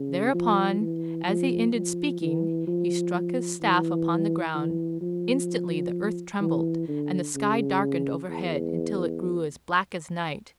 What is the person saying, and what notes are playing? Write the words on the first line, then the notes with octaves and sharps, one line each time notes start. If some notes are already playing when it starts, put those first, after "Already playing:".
Thereupon, as he ended speaking, he struck his staff upon the ground. Instantly the earth trembled, and the sky darkened overhead until it grew as black as night.
Already playing: C#3
F3
E3
F3
F3
E3
F3
F3
E3
E3
F3
E3
D3
C#3
E2